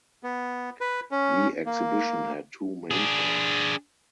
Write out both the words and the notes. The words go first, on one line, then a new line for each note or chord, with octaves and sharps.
The exhibition had two main parts.
B3
B4
C#4
A#3
D4 G#4